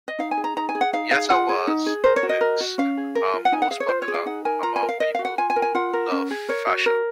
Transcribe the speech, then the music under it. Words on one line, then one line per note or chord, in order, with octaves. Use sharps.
Yazawa's works are most popular among people who love fashion.
D#5
D#4 F5
G#5
G#4
A#5
D#4 A#5
G#5
G#4
F#5
D#4 F5
G#4 F5
F4 F#5
G#4
D#4
G#4
A#4 C5
C#5
F#4
D#5
A#4
F#4
C#4 F5
G#4
A#4
F4
F#5
D#4 G#5
F#5
G#4 F5
C#5
F4 C5
C#5
G#4
F5
D#4 F#5
A#4 G#5
F4 A#5
G#5
A#4
F5
A#4 D#5
F#4 F5
F#5
F4 G#5
G#5
A#4
G#5
F4 F#5
A#4
C#4
G#4
A#4 C#5
F#4
A#4